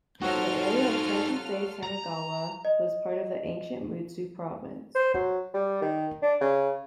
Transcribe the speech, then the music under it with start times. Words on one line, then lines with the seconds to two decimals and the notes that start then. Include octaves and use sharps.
The area of present-day Samegawa was part of ancient Mutsu Province.
0.22 F#3 D#4 F4 F#4 A4 C5 F6
1.83 A#5 F7
2.65 D#5
4.95 C5
5.14 F#3
5.54 G3
5.82 D#3
6.22 D4
6.41 C#3